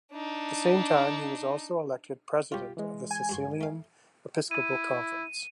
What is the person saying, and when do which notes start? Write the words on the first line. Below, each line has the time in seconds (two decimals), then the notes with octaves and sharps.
At the same time, he was also elected President of the Sicilian Episcopal Conference.
0.13 D4 D#4
2.52 C2 F4 G4 C#5
2.77 E3 G#3
3.11 G#5
3.29 G2 F#4 C6
3.61 A3 F5
4.51 E4 D#7